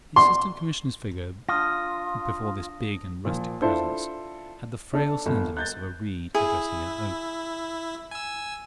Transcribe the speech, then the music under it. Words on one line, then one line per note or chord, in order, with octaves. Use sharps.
The Assistant Commissioner's figure before this big and rustic Presence had the frail slenderness of a reed addressing an oak.
C6
D4 F4 D#6 A#6
A#2 F3
D4 E4 F4 A4 C5
D4 A4
G1
F#6 G6 A6
E4 G#4
G#5 E6